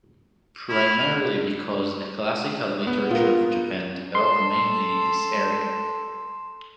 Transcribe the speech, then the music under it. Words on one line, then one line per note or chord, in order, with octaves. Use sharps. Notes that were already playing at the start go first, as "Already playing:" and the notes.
Primarily because the classical literature of Japan developed mainly in this area.
E4 B5 F6
B3
F4 A#4
A4 A5 C6